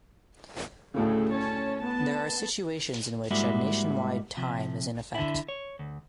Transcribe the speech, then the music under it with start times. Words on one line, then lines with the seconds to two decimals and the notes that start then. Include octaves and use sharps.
There are situations in which a nationwide time is in effect.
0.94 D2 A2 C#3 A3 G#4 A4
1.31 C#4 C#5 A5
1.77 B3 A5
3.31 G#2 G3 G#3 A#3 E4 F#4
4.37 C3 F3
5.15 D3 E4
5.49 C#5
5.79 D2